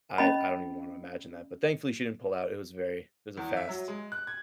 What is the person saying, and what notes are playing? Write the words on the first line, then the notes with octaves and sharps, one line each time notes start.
I I don't even wanna imagine that, but thankfully she didn't pull out, it was very it was a fast
C#4 D#5 B5
E2
E5
F#3
G#3
F#6
G#6